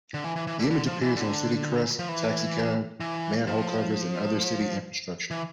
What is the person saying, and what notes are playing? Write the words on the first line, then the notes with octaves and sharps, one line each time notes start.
The image appears on city crests, taxi cabs, man-hole covers, and other city infrastructure.
D3
E3
E3
E3
D3
D3
F3
E3
D3
F3
E3
E3
F3
E3